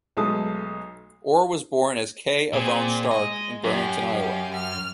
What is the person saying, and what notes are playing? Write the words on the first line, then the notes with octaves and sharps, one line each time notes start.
Orr was born as Kay Avonne Stark in Burlington, Iowa.
B1 G#3 A3 A5 D#6
A#2 C4 G#4
G#3 D#5
F#2 G4 F5
F6